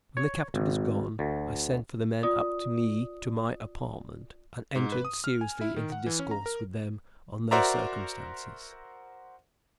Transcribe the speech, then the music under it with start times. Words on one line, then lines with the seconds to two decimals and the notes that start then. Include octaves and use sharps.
When the captain was gone, I sent for the men up to me to my apartment, and entered seriously into discourse with them on their circumstances.
0.17 C#5
0.54 G#1
1.19 D2
2.23 F4 D5 D#6
4.76 G#2
4.92 B4
5.05 D#6
5.24 F6
5.41 G#5
5.61 E4
5.76 D#3
5.92 F#5
6.06 E3
6.19 C#4
6.31 A#5
6.46 A#4
7.51 F#4 A#4 C5 D5 E5 A#5